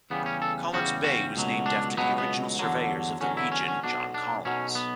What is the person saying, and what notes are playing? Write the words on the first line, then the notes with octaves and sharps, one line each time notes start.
Collins Bay was named after the original surveyor of the region, John Collins.
E2 C#3 G3 B3
C#4
A4
E2 C#3 G3 F#4
F#4
C#2 B2 F#3
D4
C#2 B2 F#3 B3
B3
E2 D3 F#3
E2 D3 F#3 C#4
E4
C#4
C#4
B1 B2 F#3 D4
D4
B1 B2 F#3 C#4
B3